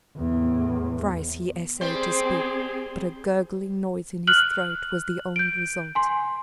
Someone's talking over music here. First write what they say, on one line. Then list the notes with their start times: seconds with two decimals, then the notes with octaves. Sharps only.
Thrice he essayed to speak, but a gurgling noise in his throat was the only result.
0.17 E2 A2
1.81 G3 C4 G#4 C5
4.27 F6 F#6 F#7
5.36 G6 D7
5.95 G#5 C6